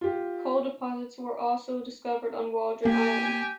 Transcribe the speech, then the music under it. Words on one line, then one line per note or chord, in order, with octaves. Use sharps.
Coal deposits were also discovered on Waldron Island.
F4 G4
A#3 G4 G#5